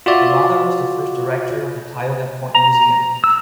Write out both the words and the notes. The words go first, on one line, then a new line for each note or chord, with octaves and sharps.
Her mother was the first director of the Tioga Point Museum.
F4 F#4 D5 E5
A#5
E6